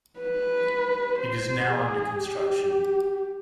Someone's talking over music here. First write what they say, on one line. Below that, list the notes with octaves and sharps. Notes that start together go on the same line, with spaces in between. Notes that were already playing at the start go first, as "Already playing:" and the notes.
It is now under construction.
B4
C5
G#4
G4